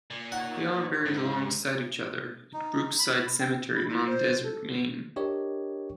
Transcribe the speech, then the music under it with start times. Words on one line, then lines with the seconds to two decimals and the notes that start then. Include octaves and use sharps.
They are buried alongside each other at Brookside Cemetery, Mount Desert, Maine.
0.10 A#2 D5
0.32 D#4 C#5 F#5
1.06 G#2 C4 D#4 E4
1.37 G4
2.53 D#4
2.99 B5
3.40 G5
3.76 B5
3.88 E4
4.06 C5
4.43 A4
5.16 D4 G4 A#4 C#5 D#5